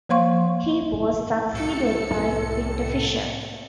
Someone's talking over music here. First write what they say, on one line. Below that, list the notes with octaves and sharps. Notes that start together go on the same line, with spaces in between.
He was succeeded by Victor Fisher.
F3 A#3 C5 F5 C6 C#6
C2 A2 A4 C#7